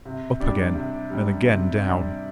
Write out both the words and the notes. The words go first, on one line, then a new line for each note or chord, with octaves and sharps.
Up again, and again down.
C3
G3 D4 G4 D5
C3
G3 D4 G4 D5
C3
G3 D4 G4 D5